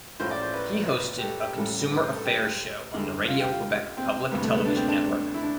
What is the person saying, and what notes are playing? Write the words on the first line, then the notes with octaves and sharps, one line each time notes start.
He hosted a consumer affairs show on the Radio-Quebec public television network.
A1 A2 F3 C5
D5
C5
B4
B4
G4
A4
G4
A1 A2 E3 G3 A4
B4
C5
A4
G4
E2 D3 G3
F4
G4
F4
C4
D2 C3 G3 B3
A3
B3
D4
C4
D4
E4
D4